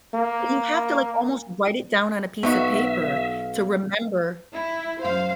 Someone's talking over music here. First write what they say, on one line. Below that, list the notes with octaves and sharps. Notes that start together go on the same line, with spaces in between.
But you have to, like, almost write it down on a piece of paper to remember
A#3
B1 F#3 B3 D#4 F#4 E5 F5
E4
F#2 C5 F5